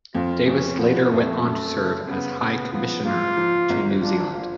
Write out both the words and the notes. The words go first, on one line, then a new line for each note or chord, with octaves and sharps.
Davis later went on to serve as High Commissioner to New Zealand.
F2 F4
F2 C#4
F3 B3
F2 A3
F#2 A3
C#3
C#3 B3
C#3 B3
F3 B3
G#2 F4
F3
G#1
D4 F4
F4